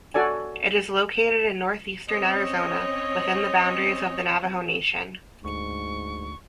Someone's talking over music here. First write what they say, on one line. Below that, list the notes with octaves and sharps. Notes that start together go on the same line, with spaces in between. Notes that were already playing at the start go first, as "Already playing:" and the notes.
It is located in northeastern Arizona within the boundaries of the Navajo Nation.
F#4 A4 D5 G#5
C4 C#4 C#5 D#5
D2 G#2 C#6